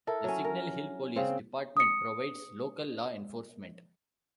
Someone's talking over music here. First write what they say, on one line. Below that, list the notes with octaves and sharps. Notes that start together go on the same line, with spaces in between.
The Signal Hill Police Department provides local law enforcement.
E4 A4 A#4
F#3 C#4
A#4
C#3 C4
D#6 C#7